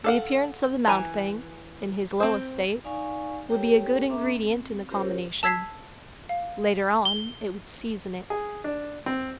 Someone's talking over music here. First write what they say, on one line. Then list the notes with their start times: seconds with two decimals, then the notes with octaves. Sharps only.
The appearance of the mountebank, in his low estate, would be a good ingredient in the combination; later on it would season it.
0.04 A4 F5 F#5
0.88 E3 G#5 A#5
2.20 C4 C5
2.84 D#4 D5 F5 G#5 C#6
3.49 A#3 G4 A4 A#4 C#5 G5
4.10 A#3 C#4 A4 E5 A#5 D6
4.30 C4
4.89 C#4 F4 G4 A#4 C5 C#5
5.43 A5 E6 G#6 B6 C7
6.29 F5
7.05 G7
8.30 G#4
8.64 D4
9.06 C4